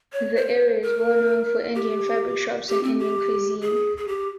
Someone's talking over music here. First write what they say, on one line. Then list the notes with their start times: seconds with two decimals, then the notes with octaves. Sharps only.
The area is well known for Indian fabric shops and Indian cuisine.
0.13 C#5
0.36 C5
0.83 A#4
1.75 G4
2.69 G4
2.84 C4
2.99 G4
3.61 G#4
3.97 G#4
4.08 G4